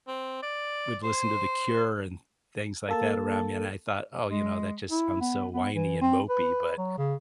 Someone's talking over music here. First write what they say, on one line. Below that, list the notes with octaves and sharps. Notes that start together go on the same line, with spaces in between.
would listen to The Cure and things like that around me and I thought, oh, you know, that just sounds so whiny and mopey, but,
C4
D5
C5
A#3 A4 A5
G#3
E4
B3
B3
E3
C4
B4
F#3
C#3